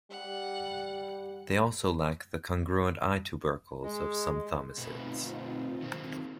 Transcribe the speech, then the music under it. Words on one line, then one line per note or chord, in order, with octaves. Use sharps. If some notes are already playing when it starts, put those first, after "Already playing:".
They also lack the congruent eye tubercles of some thomisids.
G3 F#5
G#3
B2 A3 C4 D#4 F4 B4
D#3 A#3 C4